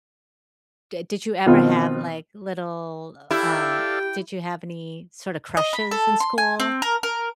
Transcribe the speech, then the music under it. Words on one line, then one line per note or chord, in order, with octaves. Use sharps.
D did you ever have, like, little, uh, um did you have any, sort of, crushes in school?
B2 D#3 B3 C4 F4
E4 G4 A4 D5 F5 G5
D#5
B5
A4
C6
G#5
C4
A#4
A#4